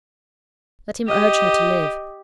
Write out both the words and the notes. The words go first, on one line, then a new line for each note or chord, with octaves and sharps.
Let him urge her to live.
G4 D#5